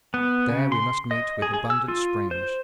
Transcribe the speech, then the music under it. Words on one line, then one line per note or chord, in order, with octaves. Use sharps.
There we must meet with abundant springs.
B3
C#3
C6
D#5
G#4
G#4
E6
F4
C5